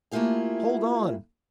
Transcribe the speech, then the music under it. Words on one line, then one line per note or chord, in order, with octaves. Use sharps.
"Hold on!"
A3 A#3 E4 F4 G4 G#4